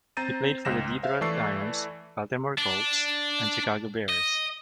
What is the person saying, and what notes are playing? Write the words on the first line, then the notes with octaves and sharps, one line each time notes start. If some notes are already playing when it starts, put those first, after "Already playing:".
He played for the Detroit Lions, Baltimore Colts and Chicago Bears.
C4 C5 A#5 G6 A6 D#7
C#2 G#2 A#6 E7
C5 E5 F5
E3 A3 A4 D5 C#6 C7
D4
D#5